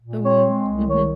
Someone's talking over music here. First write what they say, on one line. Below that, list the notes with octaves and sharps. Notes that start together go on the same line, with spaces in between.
Mm, mhm.
A#2
C4 C#5
G#3
C2
D#3 C#5